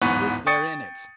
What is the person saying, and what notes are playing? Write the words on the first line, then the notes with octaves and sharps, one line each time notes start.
What is there in it?
D1 E2 G#2 B3 B4 C#6
G5 C#6 D#6 A6 C#7